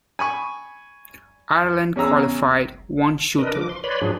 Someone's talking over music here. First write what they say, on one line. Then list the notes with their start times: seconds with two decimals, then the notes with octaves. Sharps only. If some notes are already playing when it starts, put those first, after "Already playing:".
Ireland qualified one shooter.
0.19 G#5 B5 C#6
1.96 E2 C#4 G#4 A#5 E6
3.38 D4 A#4 B4 D#5
3.55 F3 D6
3.69 C6
3.84 B4 C#5 D5 B5 C6
4.01 G#2 F3 F#3 D4 G#4